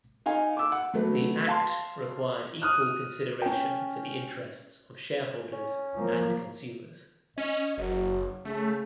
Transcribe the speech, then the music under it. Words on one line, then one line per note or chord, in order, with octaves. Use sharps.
The Act required equal consideration for the interests of shareholders and consumers.
D#4 F5 G#5
D6 E6
F#5
F#3 A3 B3
F5 A5 C6
D#6 F6 F#6
C#4 G5
C#4
F3 A#3
C#4 D#5
F#1 F#3
C#3 A3